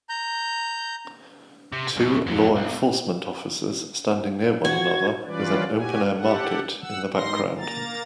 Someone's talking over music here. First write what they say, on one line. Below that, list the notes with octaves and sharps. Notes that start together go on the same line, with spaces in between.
Two law enforcement officers standing near one another with an open air market in the background.
A#5 G6
C3
C2 B2
F2 F#3
B1
F#4 G#6
E3 G3 C#4 F4 B4 D5
F#4 G4 G#5
G4 A4 F#5
F#5 E6
G#2 D#4 C6 A#6
A#3 A#5 A6